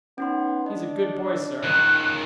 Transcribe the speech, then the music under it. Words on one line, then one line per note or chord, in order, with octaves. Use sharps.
"He's a good boy, sir."
B3 C#4 D#4 C6
D4 D#5
C#2 D#3 F#6